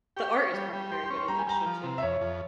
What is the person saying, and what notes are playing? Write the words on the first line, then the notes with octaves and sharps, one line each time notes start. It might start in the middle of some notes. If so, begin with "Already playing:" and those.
the art is probably very good in that show too,
G4 C#6
C#4
G3
G3
G4 C6
C6
C#4
C6
G3 A#5
G#5
G3 A#5
F3
C3
E5
F2 C#5
F2